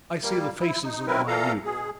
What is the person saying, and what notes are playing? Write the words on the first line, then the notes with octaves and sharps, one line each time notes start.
I see the faces of my youth.
G3 A#3
E4
D#4
D#3 F#3 C4 E4 A#4 B4
A#2 E3 A4 F5 A#5
B2 G#4